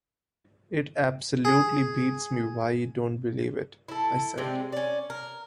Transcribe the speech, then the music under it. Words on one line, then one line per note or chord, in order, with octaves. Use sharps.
"It absolutely beats me why you don't believe it," I said.
G#4
E4 A4
C3 G#3 C4 D5
C#4 D5
A#4